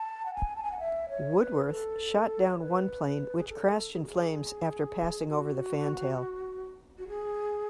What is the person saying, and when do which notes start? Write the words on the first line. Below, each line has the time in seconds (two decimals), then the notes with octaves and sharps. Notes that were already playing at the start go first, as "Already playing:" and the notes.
"Woodworth" shot down one plane which crashed in flames after passing over the fantail.
Already playing: A5
0.26 F#5
0.34 G#5
0.56 A5
0.64 G#5
0.72 F#5
0.80 E5
1.09 C#5
1.39 B4
1.66 G#4
1.70 A4
2.47 C#5
2.59 B4
3.05 B4
3.38 G#4
3.49 A4
3.94 G#4
4.02 F#4
4.09 G#4
5.28 F#4
6.98 F#4
7.08 G#4